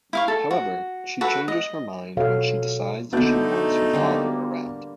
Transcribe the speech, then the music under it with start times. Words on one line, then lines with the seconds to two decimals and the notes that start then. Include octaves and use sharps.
However, she changes her mind when she decides she wants her father around.
0.13 E4 F5 C#6
0.28 A4
0.51 F#4
1.21 F#4 A4 B4
1.48 D#5
2.17 B2 F#3 F#4 A4 C#5 F5
3.13 D3 A3 B3 D#4 F#4 D5 G6
3.93 D3 G3 A#3